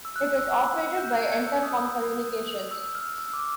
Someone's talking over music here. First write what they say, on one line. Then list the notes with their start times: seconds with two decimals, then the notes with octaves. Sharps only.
It is operated by Entercom Communications.
0.05 E6
0.16 F#6
0.27 F#6
0.39 E6
0.97 G6
1.08 F#6
1.21 G#6
1.32 G#6
1.47 E6
1.63 D#6
2.71 E6
2.95 F6
3.18 E6
3.33 D6